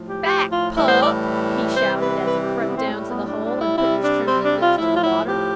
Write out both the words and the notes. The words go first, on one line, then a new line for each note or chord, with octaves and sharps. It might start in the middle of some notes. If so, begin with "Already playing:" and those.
"Back, pup!" he shouted, as he crept down to the hole and put his trembling lips to the water.
Already playing: A2 F3
G4
G4
F4
A2 E3 G3 E4
C5
D5
C3 E3 G3 C5
B4
B4
G4
E4
B3
A2 G3 C4
A3
B3
D4
D4
E4
C3 G3 E4
D4
C4
D4
F4
A2 F3 E4
F4
E4
G4